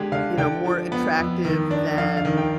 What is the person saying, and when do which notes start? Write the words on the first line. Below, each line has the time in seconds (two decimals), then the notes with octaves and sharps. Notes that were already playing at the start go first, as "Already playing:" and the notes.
you know, more attractive than,
Already playing: D3 G#3 G4
0.12 D3 F5
0.37 D3 G5
0.65 F3
0.92 B3
1.18 F2
1.45 D#3
1.71 D4
1.97 F2 F5
2.17 F5
2.25 D#3
2.38 G5